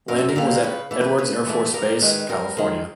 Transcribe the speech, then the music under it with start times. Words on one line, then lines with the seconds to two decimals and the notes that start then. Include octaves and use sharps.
Landing was at Edwards Air Force Base, California.
0.08 F#2 A#4
0.18 A4
0.29 A#4
0.36 D3 G3 A#3
0.63 C#3 B4
0.91 E3 A3
1.01 B4
1.18 C#3 B4
1.46 E3 A3
1.74 G2 A#4
2.02 D#3 G#3 B4
2.29 G2 A#4
2.57 D#3 G#3